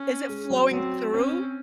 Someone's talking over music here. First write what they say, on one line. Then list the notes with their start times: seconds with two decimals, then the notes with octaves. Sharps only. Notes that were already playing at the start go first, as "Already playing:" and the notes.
is it flowing through?
Already playing: C#4
0.29 G#3
0.50 F#3
0.70 F#3 C4
1.13 C4 C#4